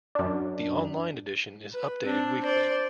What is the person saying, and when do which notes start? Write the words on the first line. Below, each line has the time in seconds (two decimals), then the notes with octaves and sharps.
The online edition is updated weekly.
0.15 F#2 D4
1.73 B4
2.03 C4 D4
2.42 C5 D5